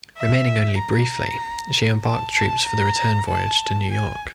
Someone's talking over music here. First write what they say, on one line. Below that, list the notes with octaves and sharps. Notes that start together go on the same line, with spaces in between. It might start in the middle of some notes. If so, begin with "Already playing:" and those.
Remaining only briefly, she embarked troops for the return voyage to New York.
E5
A#5
A5
A5
A#5
A5
G#5